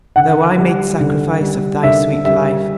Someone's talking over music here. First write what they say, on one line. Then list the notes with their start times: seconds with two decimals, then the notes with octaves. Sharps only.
Though I made sacrifice of thy sweet life.
0.16 D3 F#5
0.58 G3
1.00 D3
1.41 G3
1.83 D3 E5
2.24 G3 E5